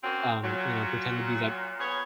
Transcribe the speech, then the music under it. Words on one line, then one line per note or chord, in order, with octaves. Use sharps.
um, you know pretend to be that uh
A#3 C4 C#4 F#4
A#2 F#3
B3 G#4 C#5